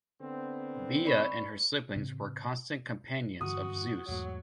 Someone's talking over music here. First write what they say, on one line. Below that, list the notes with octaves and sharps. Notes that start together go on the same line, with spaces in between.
Bia and her siblings were constant companions of Zeus.
D3 B3 C4
D5 B5 C#6
B4
A2 C#3 C4
G2 D3 E3 F#4 D#6
E2 G#2 F#3 A3